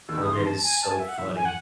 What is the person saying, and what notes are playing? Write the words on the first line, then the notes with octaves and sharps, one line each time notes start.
Oh, that is so funny.
D#2 D#3 E6
C#2 C#3
D#6
A1 A2
G#1 G#2 C6
A5
G#5
A5
G#5
E5
F#5
A1 A2 E5
G#5
F#5